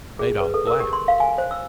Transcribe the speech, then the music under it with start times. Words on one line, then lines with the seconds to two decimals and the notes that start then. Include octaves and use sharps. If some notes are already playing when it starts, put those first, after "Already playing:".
Zadok laughed.
0.19 G#4
0.40 B4
0.54 A4
0.67 A#4
0.80 G4
0.93 C6
1.08 F5
1.20 G#5
1.38 C5
1.51 E6